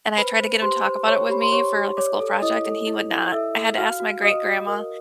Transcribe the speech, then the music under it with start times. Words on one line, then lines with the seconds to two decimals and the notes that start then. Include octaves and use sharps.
and I tried to get him to talk about it with me for, like a school project, and he would not. I had to ask my great-grandma,
0.17 B4 C5 B5
0.39 C5
0.62 G4 C5 C6
0.85 C5
1.07 C5 C#5 C#6
1.29 G4 B5
1.42 C6
1.52 G4 C#5 C#6
1.75 G4
1.97 C#5 D5 D6
2.20 A4
2.42 E4 D#5 D#6
2.65 A4
2.87 E4
3.10 E4
3.32 A4 E5 E6
3.54 A4
3.77 F#4 F5 F6
4.00 F#4
4.22 F#4 D#5 D#6
4.45 F#4
4.67 A#4